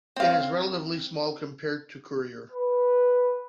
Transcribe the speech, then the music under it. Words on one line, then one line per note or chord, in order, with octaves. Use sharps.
It is relatively small compared to Courier.
C4 F5
B4